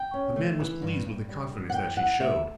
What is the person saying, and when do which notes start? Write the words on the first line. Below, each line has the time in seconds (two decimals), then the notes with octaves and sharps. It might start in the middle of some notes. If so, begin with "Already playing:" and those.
The man was pleased with the confidence that she showed.
Already playing: G5
0.14 C#4
0.36 A3
0.60 E3
0.82 G2
1.05 G2
1.29 G3
1.51 D3
1.70 F#5
1.74 E2 G5
1.97 E4 F#5
2.20 A3 E5